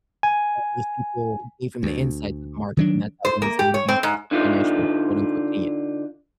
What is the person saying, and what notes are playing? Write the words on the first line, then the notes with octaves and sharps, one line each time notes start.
and those people gave him the insights of the market, and that's how he was able to be such a financial quote unquote "genius."
G#5
D2
D#3 F#3 D4
C5
A#3
G4
C#5
C4
G#2
D3 D#4 F4